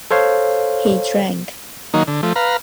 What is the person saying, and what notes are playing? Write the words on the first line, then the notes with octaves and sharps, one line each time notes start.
He drank.
A4 C5 C#5 F5
D#3 F#3 A#3 D#4
D3
F3 A3
B4 F5 A#5